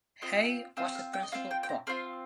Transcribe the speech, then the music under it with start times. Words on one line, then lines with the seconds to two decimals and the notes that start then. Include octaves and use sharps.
Hay was the principal crop.
0.22 C4 F4 D#5
0.77 C4 F4 F5
0.95 F5
1.14 G5
1.23 D#5
1.32 C4 F4 F5
1.51 G5
1.63 G5
1.69 A#5
1.87 C4 F4 F5